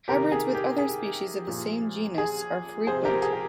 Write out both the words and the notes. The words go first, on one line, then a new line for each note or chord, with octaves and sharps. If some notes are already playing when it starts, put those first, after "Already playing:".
Hybrids with other species of the same genus are frequent.
C3 D#3 G4 A#4
G#4
G4
G#4
A#2 F3
G#4
C3 F3 G#4 C5
G4 A#4
G#4
A#4